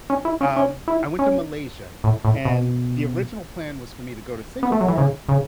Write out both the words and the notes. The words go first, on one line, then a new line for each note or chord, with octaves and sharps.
Um, I went to Malaysia, and the original plan was for me to go to Singapore,
C#4
E4
C#4
C#4
E4
C#4
A2
A2
B2
B3
A3
F#3
E3
C#3
C#3